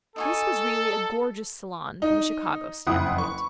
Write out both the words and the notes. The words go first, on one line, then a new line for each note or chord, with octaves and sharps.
This was really a gorgeous saloon from a Chicago standpoint.
D#4 F#4 A4 G#5
D#4
F#1 F2 E4 F#5 D#6
B4 C#6